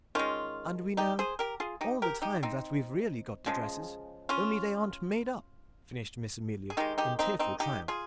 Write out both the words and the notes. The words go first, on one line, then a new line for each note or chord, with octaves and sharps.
"And we know all the time that we've really got the dresses, only they aren't made up!" finished Miss Amelia, in tearful triumph.
D#3 G#3 C#4 F4
D#4 G4
G#4 C5
G4 A#4
F4 G#4
D#4 G4
G4 A#4
D#4 G4
C4 D#4
C#3 F3 G#3
C#4 F4
G#4
D#3 G#3 D#4 G4
D#4 G4
C4 D#4
C4 D#4
D#4 G4
F4 G#4